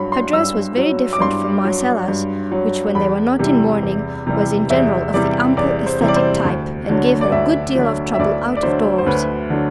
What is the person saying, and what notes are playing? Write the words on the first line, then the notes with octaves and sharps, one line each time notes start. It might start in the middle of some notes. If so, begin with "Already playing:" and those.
Her dress was very different from Marcella's, which, when they were not in mourning, was in general of the ample "aesthetic" type, and gave her a good deal of trouble out of doors.
Already playing: G2 F#3 B5
C6
G2 E6
F#3
D6
G2 C6
F#3
G2
F#3
E2 B5
C3 E3 G3
E2
C3 E3 G3
E2 E5
C3 E3 G3 D5
E2 D5
C5
C3 E3 G3
D5
C5
D2
D3 F#3
D5
D2 E5
D3 F#3
E5
D2 D5
D5
D3 F#3 C5
C5
D2 B4
D3 F#3